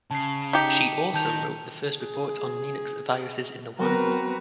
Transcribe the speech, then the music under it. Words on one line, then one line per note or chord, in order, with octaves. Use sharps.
She also wrote the first report on Linux viruses in the wild.
C#3 A5 C7
D#4 G4 B6 C#7
D#3 A5 G6 F7
G#4
F#3 B3 C4 F#4 A#4 B4 A#5